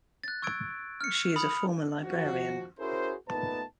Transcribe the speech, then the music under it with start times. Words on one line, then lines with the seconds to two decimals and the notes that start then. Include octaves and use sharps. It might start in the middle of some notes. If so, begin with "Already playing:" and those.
She is a former librarian.
0.24 F#6 A6
0.42 C#6 E6 G#6 D7
1.01 F6 C#7
1.36 B5 D#6 F7
2.03 D#2 F3 F#4
2.79 C#4 E4 F#4 G#4 A#4 C5
3.28 A#2 A3 B3 D#4 B4 A5